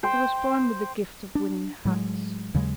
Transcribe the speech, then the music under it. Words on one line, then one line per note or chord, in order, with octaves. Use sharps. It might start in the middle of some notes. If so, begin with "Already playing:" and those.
He was born with the gift of winning hearts.
C5 G5
D4
A2 F#3 G#3
D#2 C#3 F#3 G#3